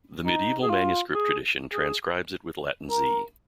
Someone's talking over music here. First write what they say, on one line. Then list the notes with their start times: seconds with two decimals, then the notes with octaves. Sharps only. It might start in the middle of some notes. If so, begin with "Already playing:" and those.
The medieval manuscript tradition transcribes it with Latin Z.
0.25 D#4
0.62 G#4
0.70 F4
1.14 G#4
1.73 G#4
2.90 A#4